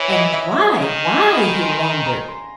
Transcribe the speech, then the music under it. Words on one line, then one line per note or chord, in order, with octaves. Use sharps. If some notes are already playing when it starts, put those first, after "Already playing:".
"And why--why?" he wondered.
Already playing: E3 C#5
D#5
E5
E5
D#3
G#5
B5
C6
A#5
C6